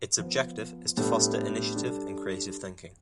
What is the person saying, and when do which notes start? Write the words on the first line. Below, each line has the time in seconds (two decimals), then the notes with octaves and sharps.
Its objective is to foster initiative and creative thinking.
0.19 F3 B3 F4
0.97 A2 G3 B3 D4 A4
1.76 G3 D4 A4